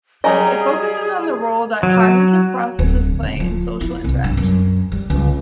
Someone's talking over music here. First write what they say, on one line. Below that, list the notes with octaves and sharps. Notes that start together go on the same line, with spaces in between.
It focuses on the role that cognitive processes play in social interactions.
F#3 G3 G#4 C#5 D#5 G#5 A#5
F#3
D1
C#2
F3
E4
C2
G2
F#2
G3
C#2